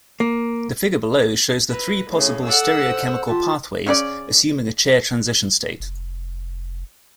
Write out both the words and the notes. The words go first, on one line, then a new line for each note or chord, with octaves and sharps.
The figure below shows the three possible stereochemical pathways, assuming a chair transition state.
A#3
E4 B4 A#5
A2 C#3
G#4 A4 D5 F#5 E6
C5
E3 F4 G4 A5
C#3 C#4 D#4 D5
F1